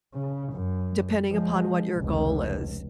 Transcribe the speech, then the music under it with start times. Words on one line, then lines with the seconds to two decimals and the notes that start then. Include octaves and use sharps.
depending upon what your goal is,
0.14 C#3
0.53 F#2
1.31 F3 G#3
1.97 F1 C#2